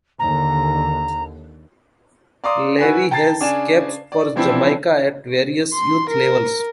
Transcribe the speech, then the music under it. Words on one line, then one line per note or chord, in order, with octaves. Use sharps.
Levee has caps for Jamaica at various youth levels.
D#2 D3 A#5
D5 F5 A#5 C6 D6 D#6
E4 F#4 B4 G#5
G5 A5 A#5 A6 C7
C#3 D4 D5 G#5 E7
D5
E3 F3 C4 D4 E4
C6
A#4